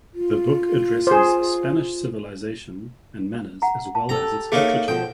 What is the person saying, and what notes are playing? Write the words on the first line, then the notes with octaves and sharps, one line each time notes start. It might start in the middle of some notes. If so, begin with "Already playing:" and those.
The book addresses Spanish civilization and manners as well as its literature.
F4
G#4 C5
F#5 A#5
A5
G4 A4 A#5
A3 A#3 D#4 G#4 C#5
B2 F3 A4 C5 G5